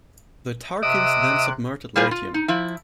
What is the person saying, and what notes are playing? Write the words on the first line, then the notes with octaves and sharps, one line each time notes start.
The Tarquins then subverted Latium.
C3 D#5 E5 D#6 F#6 D7
G3 E4 F4 G#4 A#4 C5
F4
D#4
F3 E4